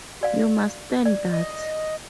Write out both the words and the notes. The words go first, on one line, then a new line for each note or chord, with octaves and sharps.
You must stand that!
F#4 D5 F5
D5
D#5